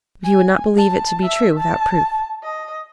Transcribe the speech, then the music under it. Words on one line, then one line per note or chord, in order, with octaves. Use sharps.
But he would not believe it to be true without proof.
G#5
A5
E5
A5
D#5